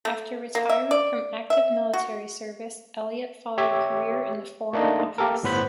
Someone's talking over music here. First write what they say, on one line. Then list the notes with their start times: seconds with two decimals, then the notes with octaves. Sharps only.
After retiring from active military service, Elliot followed a career in the Foreign Office.
0.05 A3
0.55 A#3
0.69 E5
0.91 D5
1.50 E5
1.94 F#4
3.58 G4 C#5 E5
4.73 A3 A#3 D4 D#4 D#5
5.18 A#3 G4 A4 A#4
5.43 G1 A2 B3 B4 C5 B5